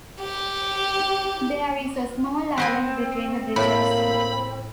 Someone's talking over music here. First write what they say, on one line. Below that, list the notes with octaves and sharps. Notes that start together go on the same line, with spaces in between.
There is a small island between the bridges.
G4
C4 B4 D#5 G#5
A2 A#3 B5